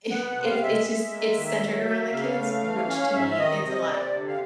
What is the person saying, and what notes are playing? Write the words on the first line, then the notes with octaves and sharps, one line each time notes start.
i it's it's just it's centered around the kids, which to me is a lot
B3 F#5
F#5
C3
F5
G#3 E5
G#3
A#3
D#3
F#3
A#3
C#3 F5
A3
E3
C#4
G#2 E5
E5
D#3 D#5
C3 D#5
C3 D5
D3
F5